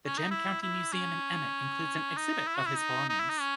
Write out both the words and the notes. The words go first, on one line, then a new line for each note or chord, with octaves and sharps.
The Gem County Museum in Emmett includes an exhibit of his belongings.
C#4
D#4
E4
E4
C#4
D#4
E4
F#4
E4
D#4
D#4
E4
D#4
C#4